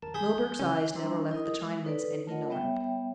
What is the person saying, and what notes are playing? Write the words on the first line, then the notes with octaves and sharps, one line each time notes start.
Milburgh's eyes never left the Chinaman's, and he nodded.
D#2 A#4 A5
D#2 G#4 B5 G6
F3
C#3 C#4
G3 D4 C5 A#5 C6 E6
E4 A#4 D#5 D#6
G#3
D#4 A4 B4 C#5 D5
A3 F4 A#4 C#5 D#5 F#5
G3 B3 C#5 E5 G5